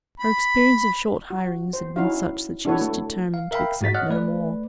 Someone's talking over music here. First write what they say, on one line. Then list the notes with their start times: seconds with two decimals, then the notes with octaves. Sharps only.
Her experience of short hirings had been such that she was determined to accept no more.
0.20 B5
1.30 F#4
1.73 C5
1.96 C#4 D#4 E4 F#4 F5
2.65 D4 E4 F#4 A4 B4 C#5
2.81 A3 A4
3.34 F5
3.51 A#4 E5 F5 G5 B5
3.81 G#2 G#3 F#4 A6 B6
3.94 C#5 D#5 F#5 F6 F#6
4.10 A3 B4 D5